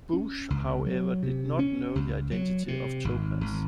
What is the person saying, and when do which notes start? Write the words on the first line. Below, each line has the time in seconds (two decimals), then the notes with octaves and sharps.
Busch however did not know the identity of Topaz.
0.13 C#4
0.50 C#2
0.86 F#3
1.23 C3
1.59 C#4
1.95 C#2
2.31 F#3
2.68 C3
3.05 G#1
3.41 G#1